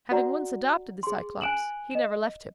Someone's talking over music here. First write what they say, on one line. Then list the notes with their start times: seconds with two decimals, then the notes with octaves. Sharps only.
Having once adopted the Cyclops, he never left him.
0.11 F#4 D5 F#5 A#5
1.03 G#4 C6
1.41 G#5 F#6 D7 E7 F#7
1.91 D#5 E7